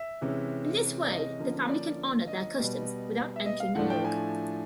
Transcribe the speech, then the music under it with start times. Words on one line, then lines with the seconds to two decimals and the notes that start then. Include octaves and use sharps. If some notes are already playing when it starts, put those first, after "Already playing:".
In this way, the family can honor their customs without entering the morgue.
Already playing: E5
0.21 C3 E3 G#3 C#4
1.05 D5
1.10 D#5
1.39 D3 F3 A#3 C#4
1.69 D5
2.27 D#5
2.57 B2 G3 B3
3.36 E5
3.45 D#5
3.60 F5
3.75 A2 F3 A3 D4 F4 F#5
3.90 G5
4.05 G#5